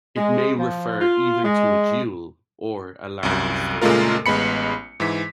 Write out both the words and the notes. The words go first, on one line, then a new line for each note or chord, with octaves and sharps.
It may refer either to a duel or a larger scale war.
G#3
F3
F4
G#3
C2 F#2
A#2 C#3 G#3 A3 F4 A#4
A1 G#3 B3 B5 C#7
G#2 E3 B6